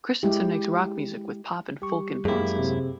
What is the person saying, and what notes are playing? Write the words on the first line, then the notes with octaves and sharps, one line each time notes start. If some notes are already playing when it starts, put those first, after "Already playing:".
Christensen makes rock music with pop and folk influences.
G#3 E4 G4
G3 G4 C#6
F#2 G#3 A#3 E4 G4 G#4
C3